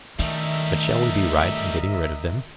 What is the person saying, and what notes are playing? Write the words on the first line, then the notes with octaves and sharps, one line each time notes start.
But shall we be right in getting rid of them?
D#3 G3 A3 A#4 D#5 E5